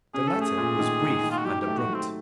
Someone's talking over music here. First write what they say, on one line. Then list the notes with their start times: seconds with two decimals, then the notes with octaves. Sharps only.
THE letter was brief and abrupt.
0.14 C#4 G#4
0.28 A4
0.35 A3
0.41 G#4
0.57 A#2
0.79 D#3
1.01 G#2
1.23 D#3
1.31 F4
1.38 F#4
1.45 F#3 G4
1.61 G4
1.67 A3
1.78 F#4
1.88 F#3
1.94 C4